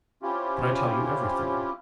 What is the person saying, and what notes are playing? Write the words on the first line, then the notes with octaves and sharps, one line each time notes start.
"But I tell you everything."
C4 C#4 E4 F4 G4